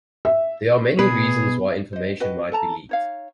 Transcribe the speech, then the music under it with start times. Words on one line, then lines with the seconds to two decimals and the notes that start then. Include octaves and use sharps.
There are many reasons why information might be leaked.
0.25 E5
0.99 B2 B3 G#4 B4
1.93 C5 D#5
2.20 F#4 B4 D#5 G5
2.52 A4 A5 A#5
2.89 D#4 C#5 F5